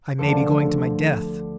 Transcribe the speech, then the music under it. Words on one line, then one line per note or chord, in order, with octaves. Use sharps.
I may be going to my death!
D2 D3 F3 A4